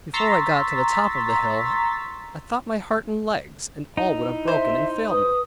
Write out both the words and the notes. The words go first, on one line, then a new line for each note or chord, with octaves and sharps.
Before I got to the top of the hill, I thought my heart and legs, and all would have broken, and failed me.
A#5 C6 C#6 E6 A6 B6
D#4 E4
C5 E5
B4 D#6